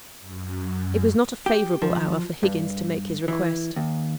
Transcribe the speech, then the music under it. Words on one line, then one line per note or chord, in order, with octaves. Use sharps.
It was not a favourable hour for Higgins to make his request.
F#2
G4
F3
G2
E3
D#2